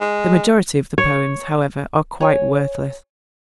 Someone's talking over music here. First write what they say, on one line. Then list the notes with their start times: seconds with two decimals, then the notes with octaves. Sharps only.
The majority of the poems, however, are quite worthless.
0.01 G#3
0.98 C#5
2.21 C#5 G#5